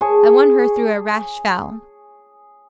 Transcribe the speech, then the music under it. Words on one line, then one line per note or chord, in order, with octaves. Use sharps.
I won her through a rash vow.
G#4 C#5 A5